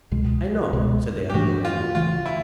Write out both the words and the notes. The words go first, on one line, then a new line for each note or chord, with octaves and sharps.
"I know," said the young lawyer, nodding.
C#2 B2 G#3
C#2 B2 G#3 B3
G4
G#2 E3 A3 D4 F#4
F4
D2 C#3 E3 A3 F4
E4